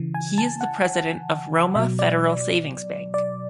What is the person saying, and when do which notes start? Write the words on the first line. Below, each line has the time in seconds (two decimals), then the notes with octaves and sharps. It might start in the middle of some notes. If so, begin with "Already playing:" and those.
He is the President of Roma Federal Savings Bank.
Already playing: C#3 E3
0.14 G#5
0.38 A5
0.61 F#5
1.75 B2 F#3 E5
1.99 D5
3.14 D5